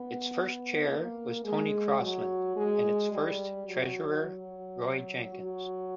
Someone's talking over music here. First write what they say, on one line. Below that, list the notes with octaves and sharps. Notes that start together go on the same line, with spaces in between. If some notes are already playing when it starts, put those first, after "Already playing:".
Its first chair was Tony Crosland, and its first treasurer Roy Jenkins.
Already playing: B3
A#3
G#3
F#3
G#3
G3
F#3
F#3
F#3